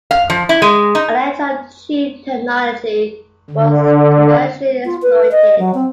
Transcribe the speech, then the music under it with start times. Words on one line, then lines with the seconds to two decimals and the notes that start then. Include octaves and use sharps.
Electron tube technology was commercially exploited.
0.11 F5
0.30 F3
0.49 E4
0.62 G#3
0.95 D#4
3.50 D3
4.85 F4
5.02 B4
5.32 D#5
5.59 F#3
5.74 C4